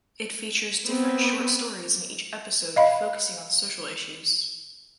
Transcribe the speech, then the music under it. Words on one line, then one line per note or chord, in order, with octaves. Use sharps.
It features different short stories in each episode focusing on social issues.
B3 C4
D#5 F5 B5